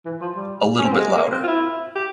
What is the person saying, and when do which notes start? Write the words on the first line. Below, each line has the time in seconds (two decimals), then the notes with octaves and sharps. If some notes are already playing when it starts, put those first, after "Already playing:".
A little bit louder.
0.05 E3
0.21 F3
0.36 G3
0.78 C#4
0.85 C4
0.92 A#3
1.00 G#3
1.16 A#3
1.32 C4
1.43 F4
1.48 E4
1.96 G4